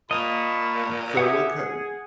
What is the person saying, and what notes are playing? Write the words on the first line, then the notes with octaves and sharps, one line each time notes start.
So, what k w
A#2 A#3 D#5 A5 B5 C#6
G4 E5 F#5 G#5 D#6
G#4